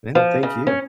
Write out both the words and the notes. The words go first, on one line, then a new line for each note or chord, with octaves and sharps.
Yeah, thank you.
F3
C#3
C#4